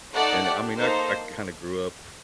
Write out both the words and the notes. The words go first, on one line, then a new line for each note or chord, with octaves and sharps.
and I mean, I I kinda grew up
A3 D#4 A4 D5 F#5
D4 G4
A#3 D#4 A4 C5